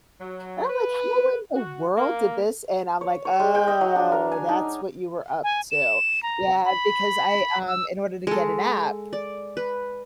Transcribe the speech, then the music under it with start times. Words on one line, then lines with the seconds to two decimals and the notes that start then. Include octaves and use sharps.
and I'm like, "How in the world did this?" And I'm like, "Oh, that's what you were up to." Yeah, because I um, in order to get an app,
0.20 F#3
0.69 B4
1.55 F#4
1.97 A#3
3.01 C#5
3.25 C#5
3.40 G#3
3.55 G5
3.68 D#5
3.81 F#3
3.96 D4
4.12 A#4
4.32 G#5
4.49 D#4
5.44 G#5
5.71 E7
6.23 A#5
6.65 B5
7.68 E6
8.27 G#3 A4
9.13 D5
9.57 B4